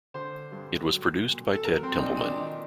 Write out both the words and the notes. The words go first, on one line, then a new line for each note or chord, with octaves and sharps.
It was produced by Ted Templeman.
D3 C5
G2
F#3
A#2
A4
F#3 A#4
C4
D#4
A#2 D4
D4
D#3